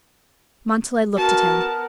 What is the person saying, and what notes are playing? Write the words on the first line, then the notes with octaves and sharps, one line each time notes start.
Montalais looked at him.
B3 F#4 A#4 A5